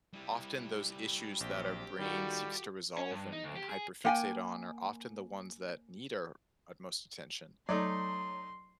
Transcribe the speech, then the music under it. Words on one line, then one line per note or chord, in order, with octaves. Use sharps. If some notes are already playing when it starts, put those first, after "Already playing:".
often those issues that our brain seeks to resolve and and hyperfixate on are often the ones that need our utmost attention.
G3 E4
A#1 F#3 C4 G4
D#3 G3 F4 F#4 A4
C#4
G2
D#4
D2
G4
G#4
A#3 G5 G#5
F#3 A3 D#4 D5 C6